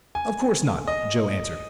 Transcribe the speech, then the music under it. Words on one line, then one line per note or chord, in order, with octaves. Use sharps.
"Of course not," Joe answered.
G#5
D#5